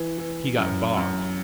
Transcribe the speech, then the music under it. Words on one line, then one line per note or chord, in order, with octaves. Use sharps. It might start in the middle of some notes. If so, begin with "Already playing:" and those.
"He got bogged."
Already playing: E3
E3
F#2
F#2